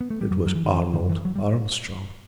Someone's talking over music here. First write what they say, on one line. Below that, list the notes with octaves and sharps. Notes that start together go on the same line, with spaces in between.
It was Arnold Armstrong.
B3
A3
G3
F#2 F#3
F#3
E3
D#3
E3
F#2 D#3
E3
F#3
G3